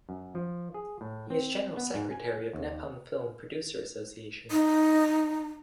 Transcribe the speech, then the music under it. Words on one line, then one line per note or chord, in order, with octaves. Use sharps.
He is General Secretary of Nepal Film Producer Association.
F#2
F3
G#4
A2
C4
B3
G#2
G#5
D#2
D#4